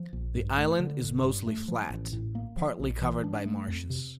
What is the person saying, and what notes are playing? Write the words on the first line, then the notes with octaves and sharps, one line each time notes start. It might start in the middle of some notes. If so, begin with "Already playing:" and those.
The island is mostly flat, partly covered by marshes.
Already playing: F3
A#1
G2
A3
D3
G1
G2
A3
F3
A1
A2
A#3
F3
A#1
E3
D4
A3
F2
C3